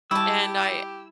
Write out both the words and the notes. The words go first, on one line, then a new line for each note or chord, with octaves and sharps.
and I
G3 E4 G4 A5 B5 C#6 E6